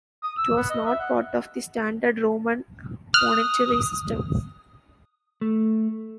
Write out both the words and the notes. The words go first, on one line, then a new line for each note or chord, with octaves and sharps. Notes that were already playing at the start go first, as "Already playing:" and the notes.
It was not part of the standard Roman monetary system.
D#6
E6
B3
D#5
E5
F#5
D#6 F6 F#6
A3